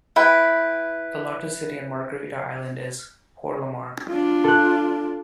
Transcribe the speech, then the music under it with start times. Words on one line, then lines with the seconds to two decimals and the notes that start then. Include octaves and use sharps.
The largest city on Margarita Island is Porlamar.
0.16 E4 B4 G5
4.09 D4 F4
4.44 A4 F#6